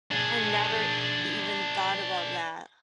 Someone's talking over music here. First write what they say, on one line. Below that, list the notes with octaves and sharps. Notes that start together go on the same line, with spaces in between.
I never e even thought about that.
D4 G#4